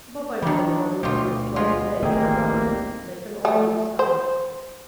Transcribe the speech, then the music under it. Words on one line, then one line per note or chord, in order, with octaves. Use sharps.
But by going round the plants twice a day for about a week they can all be discovered.
D#3 E3 G3 D4
D2 B2 F4 G4
G#3 B3 F4
D1 G#1 D#3 G3 A3 A#3 C4 G#4
A3
C5